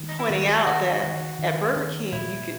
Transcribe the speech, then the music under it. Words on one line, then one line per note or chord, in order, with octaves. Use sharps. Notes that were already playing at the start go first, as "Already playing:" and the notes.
pointing out that at Burger King, you could
Already playing: D#3
D#4
E4
D#3 F#4
D#3 F#4
D#3
D#3
D#3
A#2 E4